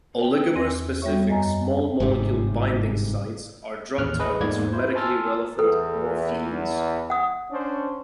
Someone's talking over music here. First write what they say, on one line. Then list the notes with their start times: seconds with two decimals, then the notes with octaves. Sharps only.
Oligomer-specific small molecule binding sites are drug targets for medically relevant morpheeins.
0.20 B4 D5 G5
0.55 E2 C4 D5 A#6
1.02 G3 B3 F#4 C#5 E5 C#6
1.29 F#2 D#5 G#5 A#5 A6
2.00 G1 G#2 C3
3.98 A1 D#2 F6 F#6
4.19 G#4 B4 D#5
4.40 E2 G#2 A#3 D5 G#6
4.73 E4 C5
4.95 G#5 A5 C6 E6 F6 A6
5.59 E2 A4 B4
7.10 F#5 D#6
7.52 C#4 D4 C5